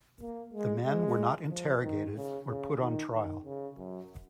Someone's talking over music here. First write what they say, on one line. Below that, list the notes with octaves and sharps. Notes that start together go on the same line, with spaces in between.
The men were not interrogated or put on trial.
A#3
G#3
G#3
F3
D#3
C#3
C#3
D#3
D#3
C#3
F#2